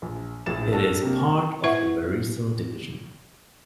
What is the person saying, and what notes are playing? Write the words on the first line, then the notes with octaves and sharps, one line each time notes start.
It is a part of the Barisal Division.
A#1
A#1 A2 G#4 A6 E7
D4 F#4 A4 A#4
C3 A#3
E4 B4 E5 F#5